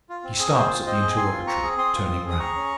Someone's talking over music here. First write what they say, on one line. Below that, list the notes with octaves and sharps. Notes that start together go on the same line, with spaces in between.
He starts at the interrogatory, turning round.
F4
C4
G#4
A#4
C4 G#4 C5
F4
C4 C5 D#5
G#4
C4 G#5 C6
F4
C4 A#5 C#6
G#4
C4 C6 D#6
F4
C4
G#4
D#6
G#4 A#5 C#6
C#4